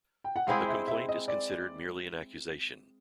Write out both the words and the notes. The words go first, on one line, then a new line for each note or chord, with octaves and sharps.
The complaint is considered merely an accusation.
G5
F#5
G#3 C4 E4 G#4 F5
E5
E5
D#5
D5